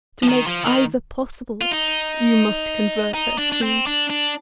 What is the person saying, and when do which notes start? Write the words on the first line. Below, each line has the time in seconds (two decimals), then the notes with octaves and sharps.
To make either possible, you must convert her, too.
0.23 F3
0.29 D#3
0.47 F3
0.65 D#3
1.61 F4
1.71 D#4
3.14 D#4
3.38 D4
3.52 D4
3.62 C4
3.87 D4
4.10 D4